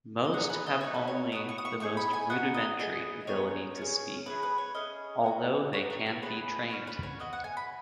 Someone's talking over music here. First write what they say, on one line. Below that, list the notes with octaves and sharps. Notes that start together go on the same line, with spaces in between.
Most have only the most rudimentary ability to speak, although they can be trained.
D#5
B3 D#4 G#4 F#5
B4
D#5
B3 D#4 F#4 C#5
B4
C#5
B3 F#4 D#6
C#6
D#6
C#6
B3 D#4 G#4 C#6
B5
G#5
B3 D#4 F#4 F#5
D#5
B3 G#4 D#5
B3 D#4 G#4 C#5
C#4 G#4
B3 D#4 G#4 B4
B4
C#5
C#4 G#4 D#5
B3 D#4 F#4
B3 D#4 F#4 C#5
C#5
C#5
B3 G#4 B4
C#4 F#4 C#5
B4
C#5
B3 F#4 D#5
F#5
G#5
B5